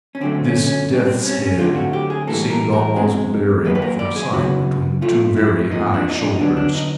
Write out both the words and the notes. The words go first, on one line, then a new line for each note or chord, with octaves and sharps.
This death's-head seemed almost buried from sight between two very high shoulders.
C#4
D3 F#3 A3 C4
C#4
C#4
B2 G3 C4
C4
C#4
C#4
D3 F#3 A3 C4 F4
F#4
G4
G#4
A2 E3 G3 A#3 A4
A#4
A#4
B2 G#3 C4
D#3 F#3 A#3 B4
B4
A#4
D5
G#4
C#3 F#3 B3 F#4
A2 F3 A3 F4
E4
C3 F3 A#3 D#4
D4
D#4
D4
D#4
D3 F#3 B3 D4
D4
D#4